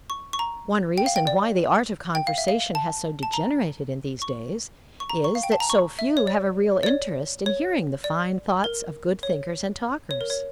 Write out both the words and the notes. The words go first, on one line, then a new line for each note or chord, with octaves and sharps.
One reason why the art of conversation has so degenerated in these days is that so few have a real interest in hearing the fine thoughts of good thinker and talkers.
C#6
C#6
A#5
G5
F5
G5
D5
G5
F5
E5
F5
A5
A5
A#5
C#6
C#6
A#5
C#6
F5
G5
A5
A#5
C#6
E5
C#5
D5
D5
C#5
C#5
D5
A#4
C#5
C#5
A#4
C#5